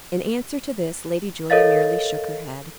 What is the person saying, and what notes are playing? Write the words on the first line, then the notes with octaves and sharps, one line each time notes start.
In answer to this Lady Julia merely shook her head.
A4 A#4 C#5 D#5 F5 A6